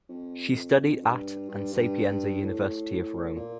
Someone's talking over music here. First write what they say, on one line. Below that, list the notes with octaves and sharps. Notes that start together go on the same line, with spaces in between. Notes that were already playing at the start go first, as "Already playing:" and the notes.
She studied at and Sapienza University of Rome.
F2
G2
G2
G2
A2
A#2